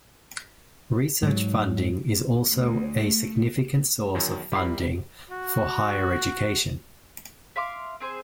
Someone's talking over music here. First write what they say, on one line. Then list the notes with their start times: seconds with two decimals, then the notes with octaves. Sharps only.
Research funding is also a significant source of funding for higher education.
1.22 G#2 F#3
2.50 D2
3.02 A3
4.15 E2 D#3 F#3
4.52 G3 E4 A#4 B5 C7
5.31 F#4
7.56 E5 F5 C6 D6
8.00 C4 G#4 C5